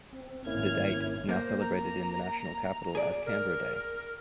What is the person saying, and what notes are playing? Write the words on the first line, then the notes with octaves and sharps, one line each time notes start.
The date is now celebrated in the national capital as "Canberra Day".
C4
G#1 A#3 C#4 E4 F6 G#6
A#3 C5
A#5
G#4 D5
A#4